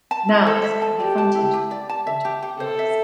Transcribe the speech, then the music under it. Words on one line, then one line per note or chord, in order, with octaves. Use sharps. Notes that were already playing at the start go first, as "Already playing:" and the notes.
Nouns can be fronted when topicalized.
A5
E4
A4 C5
E5
A5
G4 D5
A5
E4
G4
D5
A5
E5
G4
G4
A4 C5
E5